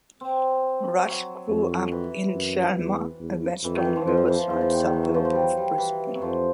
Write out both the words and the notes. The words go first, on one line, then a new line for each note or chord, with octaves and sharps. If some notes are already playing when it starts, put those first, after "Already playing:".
Rush grew up in Chelmer, a western riverside suburb of Brisbane.
C4
F#3
F2
E3
F#2
E2
E2
F2 E3
D#3
E3
F3
F2 F3
F3
E3
F3
E3
E2 F3
E3
D#3
D#3
E3
F#3
F3
F3
F#3 G3
G3
E3
F#3
F2 F3